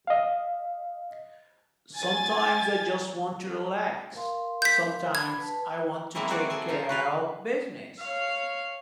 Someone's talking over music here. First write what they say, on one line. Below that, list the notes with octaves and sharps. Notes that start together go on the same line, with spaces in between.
Sometimes I just want to relax, sometimes I want to take care of business.
D#5 F5
G#5 A6
A#4 F5 C6
G6 B6
D4 B5 G#6
B4 A5
E3 F#3 G#3 A#3 C4 E4
C4 F#4 G#4 D5
G#4 A4 G#5
C#3 D#4 F4
F#4 B4 F5
C#5 F5